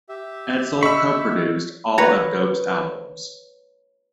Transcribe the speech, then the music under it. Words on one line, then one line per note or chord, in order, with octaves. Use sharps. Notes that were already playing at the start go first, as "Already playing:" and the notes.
Edsel co-produced all of Dope's albums.
G4 E5
D#5 B5 C#6 E6
B4 C#5 A#5